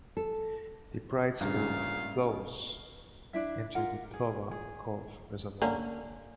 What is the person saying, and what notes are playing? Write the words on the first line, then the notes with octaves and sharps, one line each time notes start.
The Bride's Pool flows into the Plover Cove Reservoir.
A4
A1 G2 A#2 C#3 F5
D4 E4 E5
F4 A#4 F#5
G#4
G#4
D3 A#3 C#4